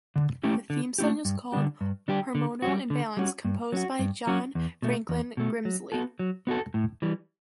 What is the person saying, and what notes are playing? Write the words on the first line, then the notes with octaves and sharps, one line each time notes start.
The theme song is called "Hormonal Imbalance" composed by John Franklin Grimsley.
D3
A3 C#4 E4 G4
D3
A3 C#4 E4 G4
G2
D3 G3 D4 G4
G2
D3 G3 D4 G4
D3
G3 C#4 F#4
D3
G3 C#4 F#4
G2
F#3 C#4 F#4
G2
F#3 C#4 F#4
E2
B2 A3
E2
B2 A3
F#3
B3 F#4 A4
F#3
B3 F#4 A4
A2
E3 G3